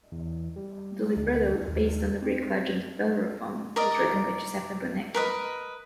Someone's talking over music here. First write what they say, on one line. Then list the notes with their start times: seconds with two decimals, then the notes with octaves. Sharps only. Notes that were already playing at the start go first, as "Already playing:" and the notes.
The libretto, based on the Greek legend of Bellerophon, was written by Giuseppe Bonecchi.
0.12 E2
0.56 G3
1.17 D2
1.68 D#2
2.22 C4
3.76 A#4 D5 D#5
5.15 A#4 B4 D#5